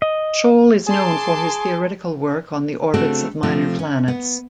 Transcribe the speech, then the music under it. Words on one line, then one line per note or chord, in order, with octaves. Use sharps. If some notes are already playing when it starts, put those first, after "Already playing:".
Scholl is known for his theoretical work on the orbits of minor planets.
D#5
G#4 A5 C6 D6
C#3 A3 C4 D4 F#4 A4
C3 F3 A3 C4
C#4
B3